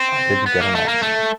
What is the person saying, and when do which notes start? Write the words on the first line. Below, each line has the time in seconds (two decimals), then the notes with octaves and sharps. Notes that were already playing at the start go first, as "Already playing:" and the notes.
I didn't get an answer.
Already playing: C4
0.46 B3
0.60 A#3
0.75 A3
0.88 A#3
1.02 A3